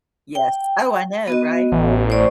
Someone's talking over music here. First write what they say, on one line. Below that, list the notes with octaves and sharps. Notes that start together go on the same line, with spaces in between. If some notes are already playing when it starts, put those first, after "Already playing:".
Yes. Oh, I know. Right?
G5
B3 F#4 D#5
A1
C5 D5 C#6